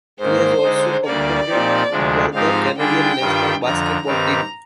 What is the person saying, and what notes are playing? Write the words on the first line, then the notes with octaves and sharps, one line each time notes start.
He has also competed for the Canadian national basketball team.
G#2 D#3 A#3 C5
D3 G#3 D#4
D2 D3 G3 A#3 D5
A#2 F3 C4 D#4 G4
D2 C3 F3 G#3 D4
G#2 F3 C4 D#4 G4 F5
D3 G3 D4 F4 G#4 G5
G2 D#3 G3 D4 F4
F2 D3 F3 A#5
G2 D#3 G3 C4 G4 A#5